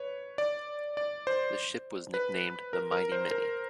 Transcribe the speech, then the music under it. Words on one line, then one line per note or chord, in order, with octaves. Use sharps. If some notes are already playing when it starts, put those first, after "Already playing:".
The ship was nicknamed the "Mighty Minnie".
Already playing: B4 C#5
D5
D5
C5
B4
A#4
A#4
C5
A#4